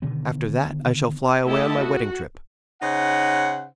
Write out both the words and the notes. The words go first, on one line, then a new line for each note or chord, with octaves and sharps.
After that, I shall fly away on my wedding trip.
B2 D3 D#3 B3
A3 E4 G4 D#5 E5 A5
F#4
C#3 D#4 C5 F#5